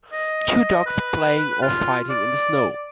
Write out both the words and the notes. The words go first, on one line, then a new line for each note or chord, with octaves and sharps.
Two dogs playing or fighting in the snow.
D#5
B4
F4
D5